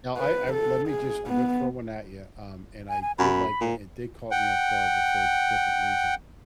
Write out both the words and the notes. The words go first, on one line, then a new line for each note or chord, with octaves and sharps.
Now I I let me just I'm gonna throw one at ya, um, and I did like it, and it did caught me off guard, but for a different reason,
B4
A4
G#4
B3
G#5
G#5
F#2 B5
A#2
F#5 G5